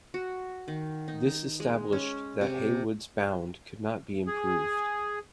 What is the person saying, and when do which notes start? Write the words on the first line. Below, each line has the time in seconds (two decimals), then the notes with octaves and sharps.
This established that Heawood's bound could not be improved.
0.14 F#4
0.68 D#3
1.08 D#4
1.60 G#3
1.93 C#4
2.41 C3
4.27 G#4